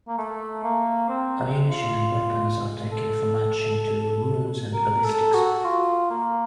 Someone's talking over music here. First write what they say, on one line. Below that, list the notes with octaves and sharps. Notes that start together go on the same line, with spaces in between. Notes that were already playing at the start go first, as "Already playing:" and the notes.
Ammunition and weapons are taken for matching to wounds and ballistics.
A#3
A3
A#3
C4
F4
A4
A#4
A4
F#4
F4
A#3